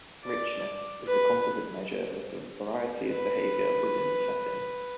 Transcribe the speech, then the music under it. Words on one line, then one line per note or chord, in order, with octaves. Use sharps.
Richness is a composite measure of the variety of behavior within the setting.
D5
B4
B4